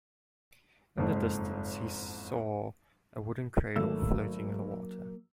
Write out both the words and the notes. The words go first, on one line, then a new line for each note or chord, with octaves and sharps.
In the distance he saw a wooden cradle floating on the water.
F#1 F2 G#2 C5
G#1 F#3 A3 A#3 E6